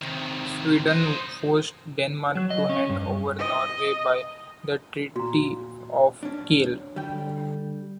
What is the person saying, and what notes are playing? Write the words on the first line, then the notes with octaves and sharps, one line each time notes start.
Sweden forced Denmark to hand over Norway by the Treaty of Kiel.
C3 D#3
C5 D#5
F#3
D#5
C#4
G2
D#5
A#2 F#4 A#5
C#4 D4
D3 G3 G5